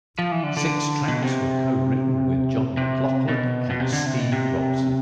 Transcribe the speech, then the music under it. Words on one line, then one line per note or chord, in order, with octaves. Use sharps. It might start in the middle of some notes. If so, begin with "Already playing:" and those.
Six tracks were co-written with John McLaughlin and Steve Robson.
F3
E3
D3
D3
B2
C3
C3
B2
B2
C3
D3
C3
B2
C3